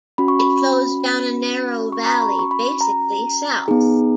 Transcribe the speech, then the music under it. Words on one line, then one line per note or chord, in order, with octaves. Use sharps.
It flows down a narrow valley, basically south.
C#4 F#4 B5
C#6
B5
C#6
A#5
B5
C#6
C#6
B5
A#5
B3 D#4 G#4